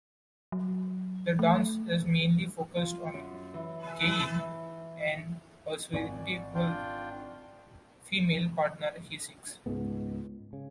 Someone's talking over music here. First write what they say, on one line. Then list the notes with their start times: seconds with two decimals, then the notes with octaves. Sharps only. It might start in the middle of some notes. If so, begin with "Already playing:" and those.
The dance is mainly focused on Gaye and a suitable female partner he seeks.
0.52 F#3
1.39 A3
2.76 F4
3.14 F#2
3.54 E3
3.87 G#5
4.04 E4
4.39 E3
5.93 G#1 D5 G#5
6.55 D4 F4 G5
9.66 C#2 G#2 G#3 B3
10.53 C#3